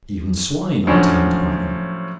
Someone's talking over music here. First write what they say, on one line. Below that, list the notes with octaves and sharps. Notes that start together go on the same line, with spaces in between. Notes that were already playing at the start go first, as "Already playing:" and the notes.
Even swine are tamed by them.
A2 F3 F#3 C#4 D4